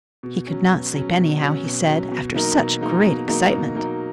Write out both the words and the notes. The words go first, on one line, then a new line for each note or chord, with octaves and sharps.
He could not sleep anyhow, he said, after such great excitement.
B2
F#3 C#4
B2
F#3 C#4
B2
F#3 C#4
B2
F#3 C#4
B2
F#3 A#3 D#4 A#4
B2
F#3 A#3 D#4 A#4
B2
F#3 A#3 D#4 A#4
B2
F#3 A#3 D#4 A#4